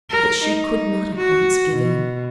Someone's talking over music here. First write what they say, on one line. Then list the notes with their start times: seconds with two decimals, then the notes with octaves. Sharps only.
But she could not at once give in.
0.10 A#4
0.45 D#4
1.16 F#4
1.72 B2